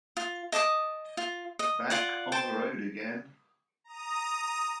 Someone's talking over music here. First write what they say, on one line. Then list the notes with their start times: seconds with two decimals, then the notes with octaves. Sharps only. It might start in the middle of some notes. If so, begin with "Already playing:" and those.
Back on the road again!
0.17 F4
0.52 D#5 A5 D6 D#6
1.17 F4
1.59 D#5
1.90 F4 D5 F#5
2.32 C5 G5 A5
3.84 A#5 D#6